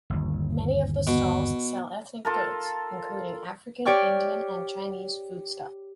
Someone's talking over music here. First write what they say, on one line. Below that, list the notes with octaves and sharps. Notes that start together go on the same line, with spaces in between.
Many of the stalls sell ethnic goods, including African, Indian and Chinese foodstuff.
G1 D#2
B2
F4 A4 A#4
G4 C#5 D5 G5 C#6 F6